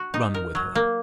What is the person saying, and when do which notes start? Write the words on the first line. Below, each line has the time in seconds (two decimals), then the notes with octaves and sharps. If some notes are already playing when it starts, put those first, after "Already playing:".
Run with her.
Already playing: F#4
0.14 D#4
0.34 A#4
0.55 F#3
0.75 A#3